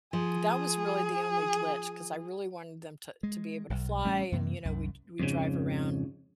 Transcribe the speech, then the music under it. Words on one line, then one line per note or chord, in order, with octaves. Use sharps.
that was really the only glitch 'cause I really wanted them t to be able to fly and, you know, we d we drive around
F3 G#4
G#3
D#1 B1
A1 G3 A3 C#4
F#2 C3 E3 A#3
C2 F#2
F2 G#2 C#3